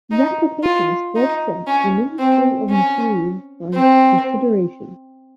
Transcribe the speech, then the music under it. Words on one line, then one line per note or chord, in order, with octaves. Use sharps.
The application is then sent to the Ministry of Interior for consideration.
D#4
F4
D#4
C#4
C4
C#4
C4